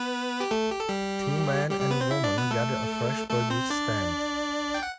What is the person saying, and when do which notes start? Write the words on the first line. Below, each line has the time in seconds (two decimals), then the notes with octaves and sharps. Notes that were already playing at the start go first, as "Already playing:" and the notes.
Two men and a woman gather a fresh produce stand.
Already playing: B3 B4
0.40 G4
0.51 A3 A4
0.71 G4
0.80 A4
0.89 G3 G4
1.70 G3 G4
1.80 G3 G4
1.91 B3 B4
2.01 C4 C5
2.11 E4 E5
2.24 D4 D5
2.38 B3 B4
2.51 A3 A4
3.30 A3 A4
3.50 C4 C5
3.70 D4 D5
4.74 G5
4.83 F#5